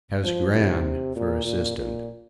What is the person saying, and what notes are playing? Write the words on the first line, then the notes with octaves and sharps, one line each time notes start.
He has Gran for assistant.
F3
C3
A#2
A#2
A#2